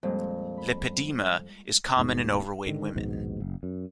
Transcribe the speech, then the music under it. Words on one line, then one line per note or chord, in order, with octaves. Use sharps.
Lipedema is common in overweight women.
F2 A#2 G3 G#3
B5
D#1 D#2 G#2 B2
G#2 D3 D#3
A#1 D#2 G#2 B2
F#1
F#2